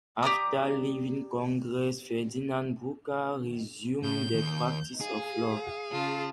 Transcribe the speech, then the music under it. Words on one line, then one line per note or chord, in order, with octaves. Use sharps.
After leaving Congress, Ferdinand Brucker resumed the practice of law.
G4 D5 A#5 D#6
A2 G6
D#2
G#4 F5
C#3 F4 A5